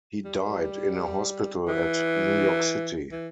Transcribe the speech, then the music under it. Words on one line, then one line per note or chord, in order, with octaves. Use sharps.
He died in a hospital at New York City.
G3
E3
E3